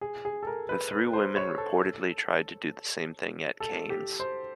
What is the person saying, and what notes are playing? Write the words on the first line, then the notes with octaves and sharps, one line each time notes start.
The three women reportedly tried to do the same thing at Cannes.
G#4
G#4
A4
A#4
B4
B4
C5
C#5
A4
A4
G4
C5